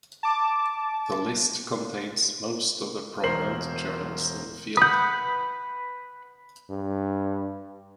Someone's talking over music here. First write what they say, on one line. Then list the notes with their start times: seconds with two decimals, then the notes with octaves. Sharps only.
The list contains most of the prominent journals in the field.
0.23 A5 D6
3.23 E1 A#4 C5 C7 F#7
4.77 B4 F#5 D#6 G6
6.70 G2